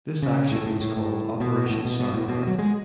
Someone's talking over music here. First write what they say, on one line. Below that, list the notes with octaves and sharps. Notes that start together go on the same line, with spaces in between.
This action was called Operation Sauerkraut.
C#3
A2
A2
A2
A2
B2
A2
B2
B2
A2
B2
F#3
G#3